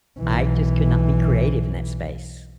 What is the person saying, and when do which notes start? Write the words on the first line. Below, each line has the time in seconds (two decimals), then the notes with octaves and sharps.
I just could not be creative in that space.
0.20 B1 E3